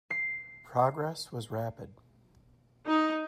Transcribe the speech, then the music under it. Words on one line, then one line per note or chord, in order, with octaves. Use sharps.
Progress was rapid.
C7
D#4